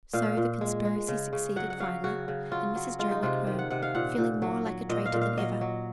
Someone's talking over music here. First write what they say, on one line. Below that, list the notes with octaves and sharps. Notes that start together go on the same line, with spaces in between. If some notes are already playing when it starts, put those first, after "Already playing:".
So the conspiracy succeeded finely; and Mrs Jo went home, feeling more like a traitor than ever.
A#2 F5
A#2
G#3
G#3
C#3
C#3
F#3 F#5
F#5
F#3 F5
C#3 F#4
C#3
F#3 F4
F#3
G#3 F4
D#4
C3 F4
D#3
F#5
C3 F#5
F5
A#2 F#5
A#2
F#3
F#3
A#2 D#5
F5
A#2
F5
F#3 D#5
F#3